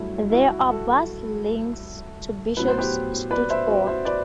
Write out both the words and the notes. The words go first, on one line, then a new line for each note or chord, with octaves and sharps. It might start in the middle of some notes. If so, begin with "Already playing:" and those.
There are bus links to Bishop's Stortford.
Already playing: G2 F#3 A3 E4
E4
F#4
F#4 A4
A2 F#3 B3 B4
C5
G4 B4
B4 D5
C5 E5
F#4
C5 E5
B4 D5